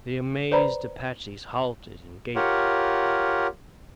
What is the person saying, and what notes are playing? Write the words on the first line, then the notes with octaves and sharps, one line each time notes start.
The amazed Apaches halted and gaped.
B4 C5 D5 A#5 B5
F4 G4 A#4 C#5 F#5